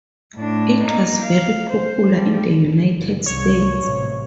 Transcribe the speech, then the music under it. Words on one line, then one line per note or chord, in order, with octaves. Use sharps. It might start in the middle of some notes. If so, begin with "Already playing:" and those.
It was very popular in the United States.
A2 D4
A#3 D#4
F5
C5
F3 G3
F#1
C2 C#5
A1 C3